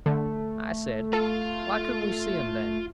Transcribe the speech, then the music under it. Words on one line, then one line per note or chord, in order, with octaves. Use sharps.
I said, why couldn't we see them, then?
D3 A3
F4 A4 F5